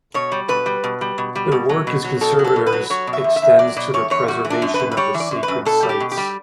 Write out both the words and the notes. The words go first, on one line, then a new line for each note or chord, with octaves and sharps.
Their work as conservators extends to the preservation of the Sacred Sites.
B2 C#5
G3
B2 B4
G3
B2
G3
B2
G3
B2
F#3
B2
F#3
B2 A4
F#3
A4
B2
B4
F#3
F#3 C#5
B2
E5
E2
E5
E2
F#3 D5
B2 D5
E2 C#5
E2 C#5
G3 F#4
E3
D4
F#2
B4
F#2
B4
G3 C#5
E3
D5
F#2
B4
F#2
B2 A4
G3
G4
B2
G4
G3